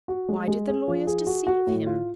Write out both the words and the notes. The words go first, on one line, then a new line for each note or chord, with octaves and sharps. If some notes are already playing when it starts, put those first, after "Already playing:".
"Why did the lawyers deceive him?"
F#4
G#3
G#3
G#4
F3
G#4
F#4
F#4
A2
F4